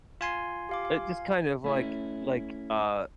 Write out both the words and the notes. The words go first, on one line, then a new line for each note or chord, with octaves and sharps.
It just kind of, like like, uh
F4 G#5 C6
G4 F5 D6
F5
A3 C#4 E4